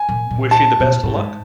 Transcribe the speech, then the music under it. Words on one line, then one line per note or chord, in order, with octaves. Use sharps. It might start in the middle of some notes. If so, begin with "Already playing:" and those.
wish you the best of luck.
Already playing: G#5
A#2
A#2
A5
B2
A#2
A2
G#2